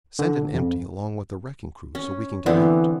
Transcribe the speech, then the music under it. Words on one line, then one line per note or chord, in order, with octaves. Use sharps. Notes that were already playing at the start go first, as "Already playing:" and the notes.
Send an empty along with the wrecking crew so we can get out.
D3
F2
C#4
D3 E3 B3 C4